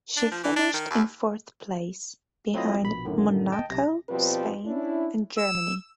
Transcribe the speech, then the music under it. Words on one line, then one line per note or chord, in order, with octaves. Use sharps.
She finished in fourth place, behind Monaco, Spain and Germany.
D4
F3
E3
D4
D#3
D#2
F#3 A3 C4 E4 F4 D#5
A#1 B2 B5
F#2 A2 D3 D#3
D#5 G5 A5
B1 C3 A#6
B2 F3 G3 C4 B4
C#4 D4 E4
E6